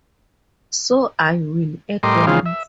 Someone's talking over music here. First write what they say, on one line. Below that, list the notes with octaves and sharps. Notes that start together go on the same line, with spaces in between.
So I will, at once.
A2 G3 A#4 D#5 C6 D6
C#3 F3 G#3 C4 D#4 F4
E5